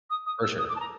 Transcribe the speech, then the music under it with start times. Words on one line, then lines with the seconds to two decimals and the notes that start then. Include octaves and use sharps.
For sure.
0.10 D#6
0.26 D#6
0.42 E6
0.59 D#6
0.69 D6
0.76 A5
0.80 A#5